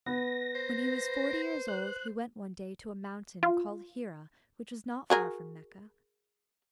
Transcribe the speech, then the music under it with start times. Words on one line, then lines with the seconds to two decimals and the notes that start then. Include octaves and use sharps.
When he was forty years old he went one day to a mountain called Hira which was not far from Mecca.
0.06 B3 B4 A#6
0.55 C5
1.68 F#6
3.43 F4
5.10 F#4 G#4 A#4